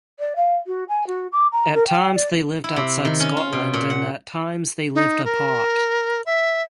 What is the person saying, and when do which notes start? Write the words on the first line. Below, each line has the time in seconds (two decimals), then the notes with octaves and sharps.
At times they lived outside Scotland and at times they lived apart.
0.19 D5
0.36 F5
0.67 F#4
0.88 G#5
1.07 F#4
1.32 D6
1.52 A#5
1.74 A#4
1.87 G5
2.15 D5
2.64 E4
2.76 C3
3.05 D#3
3.20 C#4
3.37 F4
3.53 B2
3.73 A#2
3.90 F#5
4.95 D#4
5.25 A#4
6.26 E5